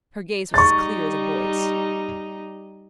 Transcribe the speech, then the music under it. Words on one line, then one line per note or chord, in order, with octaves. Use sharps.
Her gaze was as clear as a boy's.
G3 D#4 C#6 A6